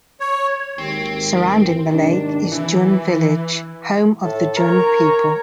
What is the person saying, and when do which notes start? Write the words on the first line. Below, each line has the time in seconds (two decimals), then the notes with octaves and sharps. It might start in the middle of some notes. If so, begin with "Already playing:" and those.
Surrounding the lake is Jun Village, home of the Jun people.
0.20 C#5
0.78 G#1 D#2 C4
1.92 G#2 C3 D#3 D4
2.52 E3
4.24 A2 A4
4.57 A#4 C#5 A#5